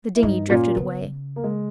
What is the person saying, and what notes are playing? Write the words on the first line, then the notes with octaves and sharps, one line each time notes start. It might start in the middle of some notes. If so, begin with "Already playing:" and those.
The dinghy drifted away.
E4
G2 D#4
A#2 C#4
A#3
C#3 B3
A#3
G#3